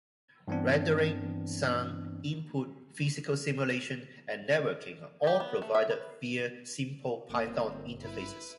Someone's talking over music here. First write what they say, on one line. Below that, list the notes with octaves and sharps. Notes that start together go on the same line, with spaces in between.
Rendering, sound, input, physical simulation, and networking are all provided via simple Python interfaces.
G2 E3 B3 C4 D4
G4
B3
A3
E5
B4
G1 A#3 C4
E4 B4